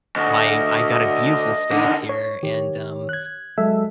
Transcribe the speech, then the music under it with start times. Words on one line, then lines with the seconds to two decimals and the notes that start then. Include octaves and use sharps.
my I got a beautiful space here, and, um,
0.16 D2 D#5
1.72 D3 D#3
2.09 C#5
2.43 D#3 G4
3.09 F#6 G#6
3.58 F#3 G#3 A4 E5